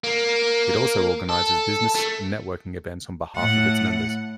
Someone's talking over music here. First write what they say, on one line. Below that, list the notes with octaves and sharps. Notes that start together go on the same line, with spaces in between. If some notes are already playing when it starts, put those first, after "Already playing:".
It also organizes business and networking events on behalf of its members.
A#3
A4
A3
A2 F#5